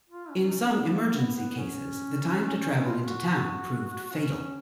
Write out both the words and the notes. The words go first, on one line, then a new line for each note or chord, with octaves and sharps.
In some emergency cases, the time to travel into town proved fatal.
F4
C#4
D#4
C#4
B3
A#3
B3
B3
C#4
F4
F#4
C#4